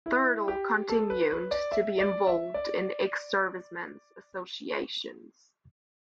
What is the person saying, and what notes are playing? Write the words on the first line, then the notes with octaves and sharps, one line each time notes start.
Thurtle continued to be involved in ex-servicemen's associations.
E4
G4
A4
B4
B4
D5
E5
D5
E5
D5